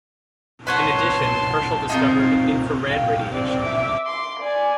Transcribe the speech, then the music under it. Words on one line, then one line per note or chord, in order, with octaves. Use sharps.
In addition, Herschel discovered infrared radiation.
B4 C#5 F#5 A5 C6
C4 D#4 F4 A#4
F5 G5
C4 D5
E5 D6
C6 D6
D5 G#5